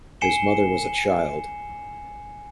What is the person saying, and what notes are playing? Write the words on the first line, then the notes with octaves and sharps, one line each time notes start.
His mother was a child.
G#5 C7 C#7 E7 G7